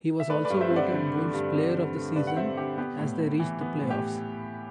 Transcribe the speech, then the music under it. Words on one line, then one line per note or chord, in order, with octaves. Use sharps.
He was also voted Wolves' Player of the Season as they reached the play-offs.
E5
A3 B4 D5
B4 D5
G2
C5 E5
C4
D5 F#5
D3
A3
G2
C4
D3
A3
G2 B4 D5
F#5
C4 C5 E5
D3 G4
B3 G4
A2
A2
E3
B3
A2
G4